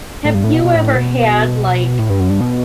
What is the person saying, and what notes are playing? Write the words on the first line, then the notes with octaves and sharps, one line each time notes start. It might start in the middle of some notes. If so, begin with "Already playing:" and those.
Have you ever had, like
A2
G2
A2
B2
B2
A2
B2
A2
G2
F#2
G2
B2